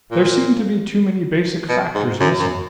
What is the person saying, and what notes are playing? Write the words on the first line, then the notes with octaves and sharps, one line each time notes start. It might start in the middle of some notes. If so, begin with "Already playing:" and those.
There seem to be too many basic factors missing.
A#2
B2
G#2
F#2
F#2